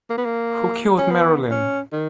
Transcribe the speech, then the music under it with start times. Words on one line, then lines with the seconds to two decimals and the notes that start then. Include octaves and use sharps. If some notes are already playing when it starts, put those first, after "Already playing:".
Who Killed Marilyn?
0.10 A#3
0.18 B3
0.25 A#3
0.98 C#4
1.11 B3
1.52 C#4
1.93 D#3